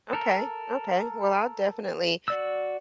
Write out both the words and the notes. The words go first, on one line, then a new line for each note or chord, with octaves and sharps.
Okay, okay, well, I'll definitely
A4 A#4
F#4 D5 E6